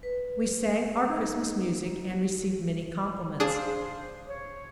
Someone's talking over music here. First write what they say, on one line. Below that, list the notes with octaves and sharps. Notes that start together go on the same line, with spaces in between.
We sang our Christmas music, and received many compliments.
B4
D#4
D4 G#4 C5 F5 D#6
C#5